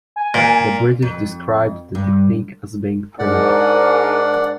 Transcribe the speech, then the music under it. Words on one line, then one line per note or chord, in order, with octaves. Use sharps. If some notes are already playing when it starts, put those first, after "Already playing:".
The British described the technique as being "primitive".
G#5
A#2
F2
G2
G#2 D4 A#4 D5 F#5